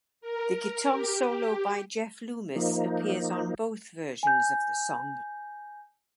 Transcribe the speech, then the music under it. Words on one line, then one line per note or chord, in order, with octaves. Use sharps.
The guitar solo by Jeff Loomis appears on both versions of the song.
A#4
G4
F3 A#3 D#4
G#5 G6